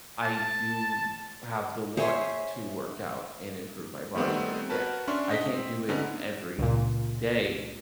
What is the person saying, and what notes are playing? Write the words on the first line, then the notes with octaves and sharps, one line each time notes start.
I do have the want to work out and improve my body here and there. I can't do it every day
A5
G#4 C5 C#5 E5
D#3 G3 A3 B3 C4
F#4 A#4 B4 A5
C#4 D4 E5 C6 C#6
D#5 B6
C4
D3 A3 B3 C#4 D#4
C#2 A#2